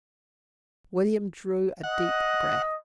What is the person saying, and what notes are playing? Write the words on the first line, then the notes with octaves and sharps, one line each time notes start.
William drew a deep breath.
D#5 F#5